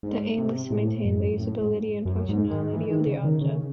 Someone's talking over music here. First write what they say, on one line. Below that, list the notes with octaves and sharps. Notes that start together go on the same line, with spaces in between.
The aim was to maintain the usability and functionality of the object.
G#2
C3
A2
F#2
A2
G#2
F#2
G#2
D#3
E3
D#3
C#3
D#3
C#3